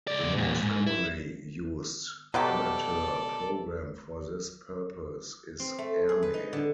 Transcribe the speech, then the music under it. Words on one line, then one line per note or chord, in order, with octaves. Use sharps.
The most commonly used Amateur program for this purpose is "Airmail".
C#2 D5
E2 A#2
G#2
E4
B2 F#3 A3 G4 A4 D5
C4
A3
G#4
B4
D#4
D3